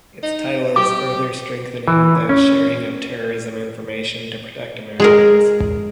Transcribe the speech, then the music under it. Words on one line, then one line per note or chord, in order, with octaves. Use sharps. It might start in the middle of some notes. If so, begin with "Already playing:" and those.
Its title is Further Strengthening the Sharing of Terrorism Information To Protect Americans.
D#4
G4 D6
E3
C#4
G#3 G#4 A#4